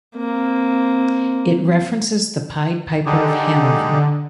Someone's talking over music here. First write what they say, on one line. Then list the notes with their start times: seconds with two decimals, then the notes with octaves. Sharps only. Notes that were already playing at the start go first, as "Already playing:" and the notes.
It references the Pied Piper of Hamelin.
0.17 A#3 C4
3.06 D3 D#4 G4 G#4